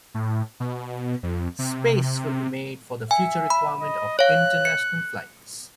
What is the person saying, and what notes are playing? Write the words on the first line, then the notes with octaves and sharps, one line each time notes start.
Space will be made for the future requirements of international flights.
A2
B2
F2
C3
E5 G#5
B5
D#5
C#5 F5 F#6
C#7